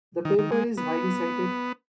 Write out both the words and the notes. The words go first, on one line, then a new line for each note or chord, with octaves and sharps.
The paper is highly cited.
D#3
D#3
G#3
B3